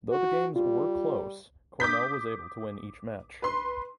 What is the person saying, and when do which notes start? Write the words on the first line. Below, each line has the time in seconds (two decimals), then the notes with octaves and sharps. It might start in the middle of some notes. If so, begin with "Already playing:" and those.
Though the games were close Cornell was able to win each match.
0.11 F#4
0.56 G3 F4
1.80 D6 D#6 G6 B6
3.42 B4 C6